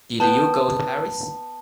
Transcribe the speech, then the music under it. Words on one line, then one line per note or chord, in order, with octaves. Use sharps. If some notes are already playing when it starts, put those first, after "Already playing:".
Did you go to Paris?
B3 G5 A5